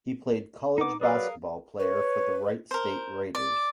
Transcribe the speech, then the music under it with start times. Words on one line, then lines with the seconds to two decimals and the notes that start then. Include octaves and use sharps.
He played college basketball player for the Wright State Raiders.
0.78 B3 D#4 D6
1.01 F#3 G#4 A#4 B4 D5 F5
1.80 B4 C#5
2.71 A#4 C5
3.35 D5